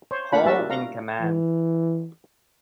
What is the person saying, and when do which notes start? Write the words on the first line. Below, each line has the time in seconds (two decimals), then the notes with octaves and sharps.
Hall in command.
0.11 C5 C#5
0.32 A3 A#3 D4 F4 F#5 B5
0.46 G3 F#4 E5 A5
0.70 F5 A#5
1.22 E3